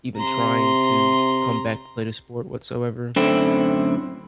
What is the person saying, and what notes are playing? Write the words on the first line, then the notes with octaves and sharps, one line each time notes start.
even trying to come back to play the sport whatsoever
C3 A#5 C6
F#2 A2 D3 C4 E4